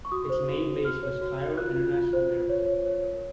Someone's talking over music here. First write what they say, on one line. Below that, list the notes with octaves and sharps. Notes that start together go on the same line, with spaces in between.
Its main base was Cairo International Airport.
C#6
F#4 D#6
C5
F#4
F#4
F#4 F6
C#5
F#4
F#4
F4 F#6
F4
F4
C5
F4
C#5
C#5
C#5
A#4